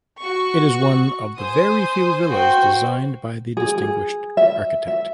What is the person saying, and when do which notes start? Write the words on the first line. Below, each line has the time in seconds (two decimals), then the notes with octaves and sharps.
It is one of the very few villas designed by the distinguished architect.
0.22 F#4 C#6
1.35 C5 G#5 D#6
2.30 F#4 C5 G5
3.57 G#4
3.78 G#4
4.37 E5
4.88 E5